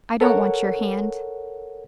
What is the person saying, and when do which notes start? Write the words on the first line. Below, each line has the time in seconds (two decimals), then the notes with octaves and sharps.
I don't want your hand.
0.21 A4 A#4 C#5 F#5